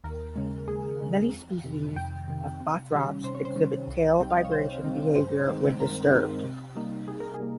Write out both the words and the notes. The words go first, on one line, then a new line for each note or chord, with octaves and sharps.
Many species of Bothrops exhibit tail vibration behavior when disturbed.
D#2 A#4
C#3 G#3
D#2 G#4
C#3 G#3
F2
C3 D#3
F2 G5
C3 D#3
C3
D#3 G3 C#4
C3 C5
C#5
C5
D#3 G3 C#4
C2
C3 G3 C4 D#4 G5
F5
D#5
C#5
C2 C5
C3 G3 C4 D#4
G2 C5
D#3 G#3 C4 D#4
G2 A#4
D#3 G#3 C4 D#4
C3
G3 A#3 D#4
C3 G#4
A#4
G#4
G3 A#3